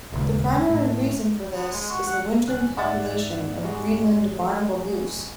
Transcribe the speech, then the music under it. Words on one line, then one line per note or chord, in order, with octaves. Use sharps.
The primary reason for this is the wintering population of Greenland barnacle goose.
D#1 C#2
A2
B3
G#3
F#4
F#5
C2 C#4 F#6
G#2 D5 E5 F#5 A6
G3 G#3 F#4
F#3 A3